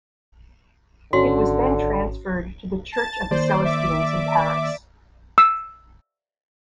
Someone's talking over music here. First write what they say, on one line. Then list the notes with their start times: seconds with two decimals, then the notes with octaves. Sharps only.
It was then transferred to the church of the Celestines in Paris.
1.13 G#1 D3 C#4 F#4 C6
2.92 A5 A6
3.31 D#3 A#3 C5 D5
3.65 E5 D6
5.38 E6